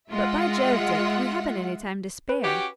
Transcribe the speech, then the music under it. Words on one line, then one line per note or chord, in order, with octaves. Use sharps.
But, by Jove, Dick, we hadn't any time to spare.
G#3 F4 E5 F#5
B4
C#4 F#4 G4